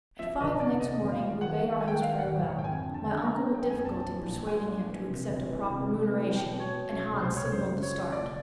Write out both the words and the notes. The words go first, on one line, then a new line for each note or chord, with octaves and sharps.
At five next morning we bade our host farewell, my uncle with difficulty persuading him to accept a proper remuneration; and Hans signalled the start.
F3 E5
G1 D#5
C3 D5
C3 D#5
G1
F5
F3
D#3 F#5
D#3
D#3 G#5
G5
F#5
D#3 F5
F#5
G#1
G#1
G5
F2 G#5
D3
A5
D3
D3 A#5
B3
G5
F2 G#5
A#1 A5
E3
A#1
G#3 G#5
A#1
E3
C3
G1
E3
C3
C3
E3
B2 G5
B2
C#5
B2
C#4 C#5
C2
C5
C2
C#5
F#2 C5
C#3
C#5
F3
F#1 D5